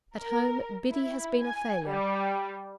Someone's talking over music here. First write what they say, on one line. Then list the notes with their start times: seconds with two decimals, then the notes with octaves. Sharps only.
'At home, Biddy has been a failure.
0.17 A#4
0.91 E4
1.43 G#5
1.87 G3